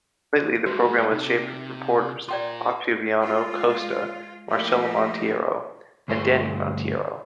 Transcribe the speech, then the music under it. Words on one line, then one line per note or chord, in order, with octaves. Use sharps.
Lately, the program was shaped with reporters: Otaviano Costa, Marcela Monteiro and Dani Monteiro.
G#3 A#3 F#4 B4
C3 D#4
F4 A#4 D5 G5 C6
G#3 F4
F3 A3 A#3 D#4 E4 G4
D2 G2 G#4 C5